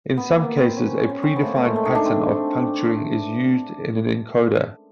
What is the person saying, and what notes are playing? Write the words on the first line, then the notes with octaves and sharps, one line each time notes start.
In some cases, a pre-defined pattern of puncturing is used in an encoder.
B3
A#3
B3
C4
C#4
C#4
C4
B3
A3 A#3
A3
G#3
A3
D#4
D4
C4